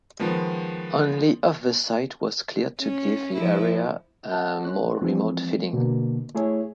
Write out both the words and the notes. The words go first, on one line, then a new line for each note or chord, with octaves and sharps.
Only of the site was cleared to give the area a more remote feeling.
D#3 F3 G#3 B3
C#4
F3 E4
F#5 A5 G6
C#4 F#6
E3 F3 G#3 B3 C4 F4
B2 D3 A#3
A3 E4 G#4 C#5 E5